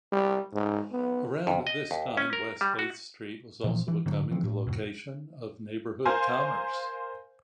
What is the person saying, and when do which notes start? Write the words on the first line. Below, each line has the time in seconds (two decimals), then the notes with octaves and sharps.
Around this time, West Eighth Street was also becoming the location of neighborhood commerce.
0.12 G3
0.53 G#2
0.91 B3
1.47 F2
1.67 D#5
1.91 D#2
2.17 C#4
2.33 A#4
2.61 G3
2.79 F#4
3.64 A#2 E3 F3
3.88 E3
4.06 G#2 D3 F#3
4.31 C#3 E3 F3 C4
4.44 A2
4.67 E2 G#2 B2
6.05 A#4 C5 F5 G#5